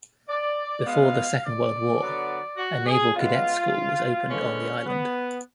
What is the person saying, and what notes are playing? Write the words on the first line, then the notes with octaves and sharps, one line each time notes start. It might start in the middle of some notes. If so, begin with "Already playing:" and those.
Before the Second World War, a naval cadet school was opened on the island.
D5
B2 G#3 B3 F5
D5
D3 F#3 B3
F#4
G#4
C#3 G#3 B3 F4
D3 G#3 B3 C#4
B3